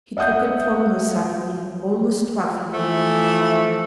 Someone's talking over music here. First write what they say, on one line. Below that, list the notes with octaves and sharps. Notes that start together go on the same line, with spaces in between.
He took it from her suddenly, almost roughly.
D#5 E5 F#5 D#6 G6
E3 F3 A3